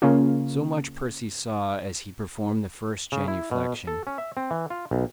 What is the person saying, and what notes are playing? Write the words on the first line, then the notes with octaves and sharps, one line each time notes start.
So much Percy saw as he performed the first genuflection.
C#3 A#3 C#4 F4
C#3
E4
B2
A4
C#4
E5
C4
E3
F4
B1